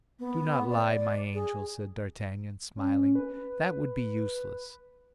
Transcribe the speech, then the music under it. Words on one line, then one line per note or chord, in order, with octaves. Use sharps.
"Do not lie, my angel," said d'Artagnan, smiling; "that would be useless."
B3
D5
G#4
C#4
B4